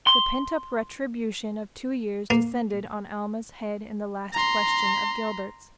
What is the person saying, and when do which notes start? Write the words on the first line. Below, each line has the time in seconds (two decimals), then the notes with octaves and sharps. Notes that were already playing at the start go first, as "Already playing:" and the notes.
The pent-up retribution of two years descended on Alma's head in the last question of Gilbert's.
0.07 C6
2.30 A#3
4.33 A#5 C6